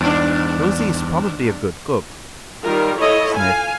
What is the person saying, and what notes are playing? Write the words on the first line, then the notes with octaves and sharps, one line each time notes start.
"Rosie is probably a good cook." Sniff.
E2 G2 D4
D#3 G3 F4 A#4
E4 F4 A4 C#5 D#5
F5 G#5